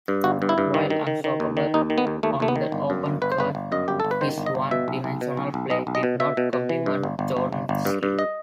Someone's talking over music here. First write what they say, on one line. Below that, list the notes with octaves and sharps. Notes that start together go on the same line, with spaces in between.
While unstoppable on the open court, his one-dimensional play did not complement Jordan's skills.
G2
G1 F#4
G2
E4
G2
D#3
D#3
D#3
D#3
D#2
D#3
D#2 D#4
D#3
B3
D#2
D#2 A3
D#2 A3
B3
D#3
G1
F#2
G1
G1 B4
C5
G1 B4
G1
F#2 D#5
G1 G4
G1 A4
B4
D#3 C5
G1
D#5
G1
B2 E5
B1
B1
B2
B1
B1
B1 D#5
B1
D#5
B2
B2 E5
B2
B2
E3
G2
G1
G1
G1
G1
G1
G2
G2
D#5